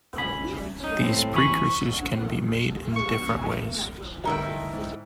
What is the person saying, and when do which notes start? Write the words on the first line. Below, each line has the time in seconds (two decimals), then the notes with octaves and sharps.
These precursors can be made in different ways.
0.18 C#2 G#5 B5
0.80 C#4 D#4
1.00 A2 C4
1.34 E3 G#5 B5 C#6
2.96 C#6
4.25 D2 G2 D#4 E4 A#4 G5
4.73 G#2